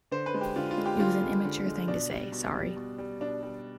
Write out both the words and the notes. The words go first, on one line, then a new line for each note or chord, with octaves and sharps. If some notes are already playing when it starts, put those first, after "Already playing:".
It was an immature thing to say, sorry.
D3 C5
B4
G#3
G4
D3 F4
F4
G#3
G4
D3 F4
G#3
D3
G#3
B2 D4
G3
B2
G3
B2
G3
B2 D4
G3